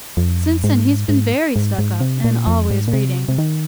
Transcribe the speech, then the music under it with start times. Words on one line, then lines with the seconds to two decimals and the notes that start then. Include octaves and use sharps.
Since then he's been very stuck up, and always reading.
0.17 F2
0.64 G#2
1.09 G#2
1.56 G#2
1.78 G#2
2.01 C3
2.24 A#2
2.47 F2
2.71 G#2
2.88 A#2
2.93 C3
3.29 C3
3.38 D#3